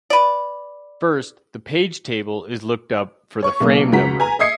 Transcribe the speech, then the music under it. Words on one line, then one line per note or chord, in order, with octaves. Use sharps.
First, the page table is looked up for the frame number.
B4 D5
C#5 C#6
B1 A#3
C#2 F#4 F#5 A#5 B6
B4 G#5 A#5
D#5 E5 D#6 G#6 C7 C#7